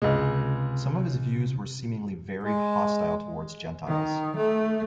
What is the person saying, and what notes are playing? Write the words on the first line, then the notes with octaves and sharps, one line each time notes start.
Some of his views were seemingly very hostile towards gentiles.
C#2 C3 G#3
G#3
D#3
A3